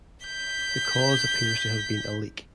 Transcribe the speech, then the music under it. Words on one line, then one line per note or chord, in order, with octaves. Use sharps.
The cause appears to have been a leak.
G6 B6